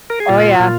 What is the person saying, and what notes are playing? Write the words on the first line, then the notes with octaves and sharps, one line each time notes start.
Oh, yeah.
A#4
G#4
A#2 F4
A#2